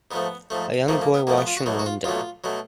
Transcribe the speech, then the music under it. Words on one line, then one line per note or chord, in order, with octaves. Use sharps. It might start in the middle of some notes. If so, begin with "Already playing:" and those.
A young boy washing a window.
G#2 F3 A3 B3
G#2 F3 A3
G#2 F3 A3 A#3
A#3
B3
G#2 F3 A3 A#3
B3
F4
F#4
B1 B2 F#3 A3
F#4
F4
B1 B2 F#3 A3 F4
B2 F#3 A3